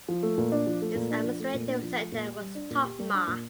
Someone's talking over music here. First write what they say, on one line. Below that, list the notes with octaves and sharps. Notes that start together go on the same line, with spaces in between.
Its administrative centre was Totma.
F3
A3
A#2
D4
F3
A3
A#2
D4
F3
A3
A#2
D4
F3
A3
A#2
G4
G3
D4
A#2
G4
G3
D4
A#2